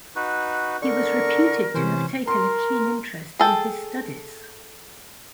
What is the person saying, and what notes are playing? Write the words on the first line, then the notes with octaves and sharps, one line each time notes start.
He was reputed to have taken a keen interest in his studies.
D#4 F#4 B4
D3 A#4 C#6
C3 E3 C#4 C5
A#4 C6
G#4 A4 G5